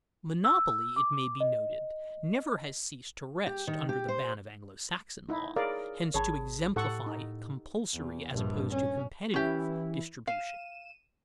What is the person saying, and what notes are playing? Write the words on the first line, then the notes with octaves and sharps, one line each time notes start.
Monopoly, it may be noted, never has ceased to rest under the ban of Anglo-Saxon law, hence to exemplify compulsory, as opposed to competitive, distribution.
E6
D6
D#5
G4
D#3
G4
C5
D#4 E4
G#4 A#4 C#5 D5 F5
G#1 G#4 C#5 A5 B5
A2 G4 A4 F#5 C#6
D#4
E2
A#1 G2
C#4
E3 C#4 E4 G4
F5 D#7 E7